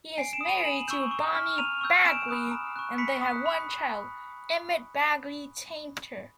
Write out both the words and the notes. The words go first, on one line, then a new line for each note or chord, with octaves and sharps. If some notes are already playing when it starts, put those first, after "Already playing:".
He is married to Bonnie Bagley and they have one child, Emmet Bagley Tainter.
G#5 C7 D7
D7 E7
D#6
B5 D#7 F7
G#5 E7 F#7
C#6 E6 G6
C#6
F6
A#5 D#7 F7
C#6 E6 G6
G#5 D7 E7
B5 D#6 F#6
A#5
C#6 F#6
B5 B6 C#7
D#6 F#6
B5